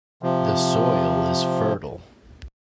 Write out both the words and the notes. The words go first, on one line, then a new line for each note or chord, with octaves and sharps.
The soil is fertile.
C3 F3